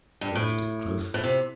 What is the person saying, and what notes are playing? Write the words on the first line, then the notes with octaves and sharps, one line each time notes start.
I looked at it closely.
G2
A2
A2
C3